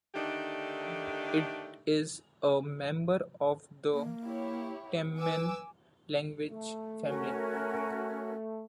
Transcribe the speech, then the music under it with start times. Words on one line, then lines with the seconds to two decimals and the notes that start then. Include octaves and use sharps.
It is a member of the Taman language family.
0.15 D3 D#3 A3 D4 D#4 G4
3.93 A#3
4.23 E4 G4 C#5
5.17 B4 G#5 D6 E6
6.51 A3
7.04 C#4 F#4 A#4